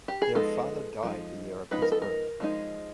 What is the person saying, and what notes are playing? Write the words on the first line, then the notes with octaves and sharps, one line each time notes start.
Their father died the year of his birth.
G4
G#4
F3 G#3 B3 D#4 A4
F3 G#3 B3 D#4
F3 G#3 B3 D#4 B4
A#4
A4
A#4
F3 G#3 B3 D#4